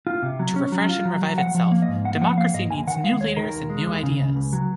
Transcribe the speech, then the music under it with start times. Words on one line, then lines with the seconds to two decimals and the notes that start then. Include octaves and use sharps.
To refresh and revive itself, democracy needs new leaders and new ideas.
0.07 F4
0.23 C3
0.39 F#3
0.56 C#4
0.72 F#3
0.89 F4
1.05 F#3
1.22 F#3
1.38 F3 F#5
1.54 F3
1.72 A#3
1.82 D#5
1.88 G#2
2.05 A#3 F#5
2.21 F3 F#5
2.37 A#3 F5
2.54 G#2 D#5
2.70 D#2 G#5
2.87 D#3 F#5
3.04 G#3 F5
3.20 D#2 C#5
3.37 D#3 A#4
3.53 D#2
3.70 G#3
3.86 D#2
4.03 C#3
4.19 C#2
4.36 C#2
4.53 F#3